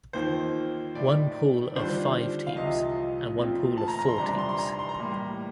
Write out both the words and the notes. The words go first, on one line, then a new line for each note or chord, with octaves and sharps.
One pool of five teams and one pool of four teams.
D#2 D#3 A#3 F4 C5
A2 A3 D#4 D5
D#2 D3 G3 D4 F4 C5
F5
C2 C3 F3 D#5
A#2 A3 C4 F4
A5
A#5
A#5
C6
C3 G3 D4 A#5
C6
C6
A#5
C6
A#5
A2 G3 A#3